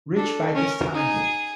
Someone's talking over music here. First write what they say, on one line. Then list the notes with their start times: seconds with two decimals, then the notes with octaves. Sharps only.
Rich by this time.
0.16 D4 A4
0.55 C#4 A#4
0.94 D#4 G#4